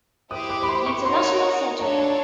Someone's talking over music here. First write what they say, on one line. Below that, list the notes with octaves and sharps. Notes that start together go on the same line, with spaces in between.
The International Centre.
E4 G4 C5 D#6
D6
B5
C6
C#6
D#4 F#4 A#4 C#5 C6
D4 F4 A4 C#5 A#5
A5